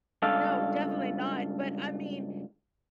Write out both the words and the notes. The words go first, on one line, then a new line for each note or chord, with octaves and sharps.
No, definitely not, but, I mean,
C#2 G2 A4 F5